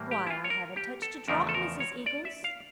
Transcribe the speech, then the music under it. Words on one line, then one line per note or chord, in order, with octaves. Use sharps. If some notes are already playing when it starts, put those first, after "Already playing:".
'Why, I haven't touched a drop, Mrs. Eagles!'
Already playing: A2 E3 G3 A#3
G4
E4
F4
C#5
A#4
G4
A4
E2 C#3 F3 A3 A#4
A4
A#4
C#5
D5
E5
F5